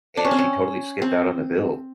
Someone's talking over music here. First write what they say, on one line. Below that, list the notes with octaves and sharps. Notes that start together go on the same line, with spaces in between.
and she totally skipped out on the bill,
D4
C#4
C4
C#4
C4